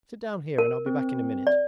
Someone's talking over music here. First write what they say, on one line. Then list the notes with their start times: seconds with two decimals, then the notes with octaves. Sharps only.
'Sit down here and I'll be back in a minute.
0.58 A#4
0.86 C4
1.47 D5